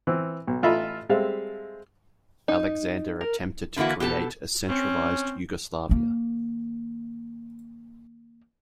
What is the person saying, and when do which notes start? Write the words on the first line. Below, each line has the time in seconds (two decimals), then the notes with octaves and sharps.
Alexander attempted to create a centralised Yugoslavia.
0.07 E3 C4
0.47 B1
0.63 A1 F4 A4 D#5 E5 B5
1.09 G3 G#3 C4 A4 E5 F5
2.48 D#4
3.21 A#4
3.76 D3 E3 A#3 E4 F#4
4.00 B2 G4 A4 A5
4.68 C4 C#4
5.89 D#3 A#3